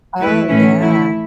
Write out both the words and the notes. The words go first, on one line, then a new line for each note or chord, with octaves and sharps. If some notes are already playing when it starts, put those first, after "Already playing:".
Oh, yeah.
E3 A3 E4 B4
A2 E3 A3 C#4 E4
E3 A3 E4